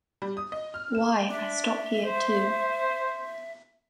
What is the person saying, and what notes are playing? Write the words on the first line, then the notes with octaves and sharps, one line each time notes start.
Why, I stop here too.
G3
D#6
D#5
F6
E7
D4 E5
C5